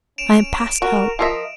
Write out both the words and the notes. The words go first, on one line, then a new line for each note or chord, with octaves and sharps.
I am past hope.
C#4 D7 E7 F7
F#4 A#4
F3 A#4 D#5 E5